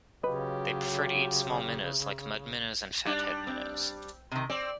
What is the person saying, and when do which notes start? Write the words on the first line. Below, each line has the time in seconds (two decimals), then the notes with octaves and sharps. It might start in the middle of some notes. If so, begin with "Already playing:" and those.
They prefer to eat small minnows like mud minnows and fathead minnows.
0.23 C#3 F#3 F4 G4 B4 D#5
3.05 G3 D4
3.47 C4
4.31 C3 D#3
4.50 C4 D5